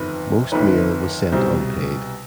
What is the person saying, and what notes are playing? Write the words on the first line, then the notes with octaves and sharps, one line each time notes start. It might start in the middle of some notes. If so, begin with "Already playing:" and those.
Most mail was sent unpaid.
Already playing: G1 F2 D#3 B4
G1 F2 D#3 B4
C2 B2 G3 C5